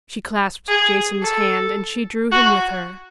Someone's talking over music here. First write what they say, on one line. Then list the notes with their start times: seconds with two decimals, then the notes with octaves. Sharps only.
She clasped Jason's hand and she drew him with her.
0.68 G#4
1.23 A4
2.32 F#4